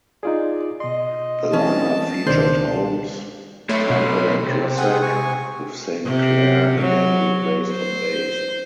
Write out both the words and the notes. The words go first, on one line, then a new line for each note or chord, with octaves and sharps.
The line-up featured Holmes, Temple and Russack, with Saint Clare again replaced on bass.
D#4 F4 G#4 D5
B2 D#5 C6
E3 A3 C4 C#4 A5
C#2 B2 D#3 D4 C5
F#3 A3 A4 C#5 B5 C6
B2
C3
G#4 F#5 G5 D#6
G#5 C#6
C3
F#3
C5